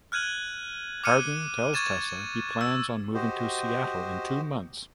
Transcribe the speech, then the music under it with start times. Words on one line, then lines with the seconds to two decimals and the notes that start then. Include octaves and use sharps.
Hardin tells Tessa he plans on moving to Seattle in two months.
0.12 F6 F#6 G#6 D#7 F#7
1.04 D6 F6 C#7 D#7
1.74 C#6 G#6 A6 E7
2.61 E6
3.15 F#4 G4 C5 D#5